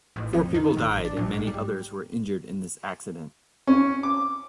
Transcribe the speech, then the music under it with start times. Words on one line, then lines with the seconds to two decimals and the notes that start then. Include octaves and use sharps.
Four people died and many others were injured in this accident.
0.16 A1
0.33 F2
0.54 D#3
0.77 A1
1.05 D4
1.17 A#1
1.34 G#2
1.47 G3
3.67 C#4
4.03 D6